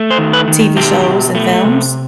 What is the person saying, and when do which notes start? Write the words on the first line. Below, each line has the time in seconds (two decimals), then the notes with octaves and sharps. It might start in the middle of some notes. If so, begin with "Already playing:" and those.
TV shows and films.
Already playing: A3
0.11 C5
0.18 D#3
0.33 B4
0.48 D#3
0.76 B2 G4
1.06 B2
1.35 A3
1.64 C3